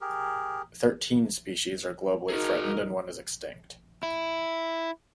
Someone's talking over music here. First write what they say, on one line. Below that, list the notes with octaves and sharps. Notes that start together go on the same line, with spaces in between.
Thirteen species are globally threatened and one is extinct.
G4 G#4 A#4
D#4 F#4 G#4 A#4
E4